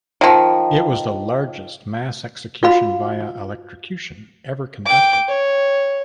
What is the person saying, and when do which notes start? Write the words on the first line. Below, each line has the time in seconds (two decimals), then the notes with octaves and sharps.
It was the largest mass execution via electrocution ever conducted.
0.21 D#3 F3
2.63 F4 F#4 F5 B5
4.86 G5 D6
5.28 C#5